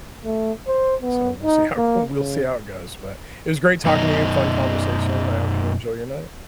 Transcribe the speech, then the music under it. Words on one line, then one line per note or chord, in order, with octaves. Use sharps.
so we'll see how we'll see how it goes, but it was great talking to you. Fun conversation, I hope you enjoy your night.
A3
C5
B3
D#4
A#3
C#3
F#2 B2 D#4